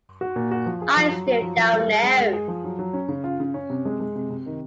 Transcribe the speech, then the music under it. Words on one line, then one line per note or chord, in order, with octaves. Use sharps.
I still don’t know.
F#4
A#2
F#4
F3
G#4
F3
F#3
F#3
F3
F3
G#3
G#3
G#3
G#3
G#4
F3
F#3
F#3
C#4
C#3
F4
C#3
C#4
C3
G#3
G#3
C3
C3
D#3